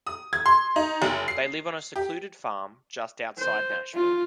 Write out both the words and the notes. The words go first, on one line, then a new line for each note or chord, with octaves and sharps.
They live on a secluded farm just outside Nashville.
D#6
G#6
C6
D#4
F#1
C7
G4
C5
F4